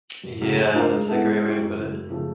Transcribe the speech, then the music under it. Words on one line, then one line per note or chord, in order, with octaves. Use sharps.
Yeah, that's a great way to put it.
F#2
C#3 F#3 A3
A3
D4 F4 A#4
G#3
B3 E4 A4
G#3
C#4 E4 G4
F#2
C#3 E3
F#2
C#3 F3 A3